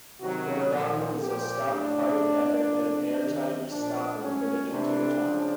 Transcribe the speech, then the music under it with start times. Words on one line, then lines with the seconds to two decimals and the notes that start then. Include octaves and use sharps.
Bourdon is a stopped pipe, having an airtight stopper fitted into the top.
0.20 C3 D#3 F#3 F#4
0.71 A#2 F3
1.21 A#2 F3 G4
1.70 A2 F#3 D4
2.21 A2 F#3
2.71 C3 F3
3.21 C3 D#3 F#3
3.70 A#2 F3 D4
4.21 A2 F#3 C#4
4.71 C3 E3 D4
5.21 C#3 F3